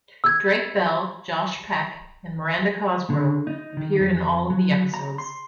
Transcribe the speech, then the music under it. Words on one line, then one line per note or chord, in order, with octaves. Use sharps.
Drake Bell, Josh Peck, and Miranda Cosgrove appeared in all of the episodes.
E6 G#6
D3
D#4
D#3
F2
F#3
A#5
C6